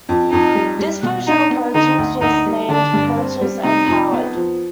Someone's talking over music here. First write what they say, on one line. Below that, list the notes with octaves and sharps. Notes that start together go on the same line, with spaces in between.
This version of Pro Tools was named Pro Tools M-Powered.
F2
F2 D#4
G3
G3
B2
D4 D#4
B3
D3 D#4
D2
D2 D#4
G3
D3 D4
G2
C4
G3
C3 D#4
F2
B3
F3